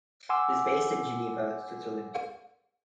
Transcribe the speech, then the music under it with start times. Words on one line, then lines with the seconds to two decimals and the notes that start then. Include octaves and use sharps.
It is based in Geneva, Switzerland.
0.29 F#5 G#5 C6 D6 E6